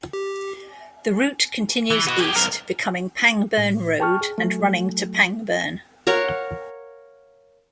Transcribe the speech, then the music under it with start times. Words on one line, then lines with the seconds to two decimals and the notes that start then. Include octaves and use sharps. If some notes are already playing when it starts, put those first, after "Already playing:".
The route continues east, becoming Pangburn Road and running to Pangburn.
0.13 G4
1.91 E3
2.07 B3 F#4
2.19 G4 G#4
2.35 B1 A#4
3.58 A2
4.00 G5 A5 C#6 F6
4.21 G#4
4.38 F#3 A3
6.07 A#4 C#5 F5 F#5